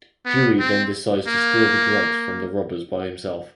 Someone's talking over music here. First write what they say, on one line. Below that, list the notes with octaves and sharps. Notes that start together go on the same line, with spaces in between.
Dewey then decides to steal the drugs from the robbers by himself.
B3
C4
A#3